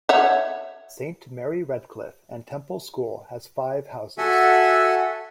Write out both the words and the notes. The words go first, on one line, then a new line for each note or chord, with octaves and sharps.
Saint Mary Redcliffe and Temple School has five houses.
C#5 E5 F#5
F#4 A4 E5 F#5 G#5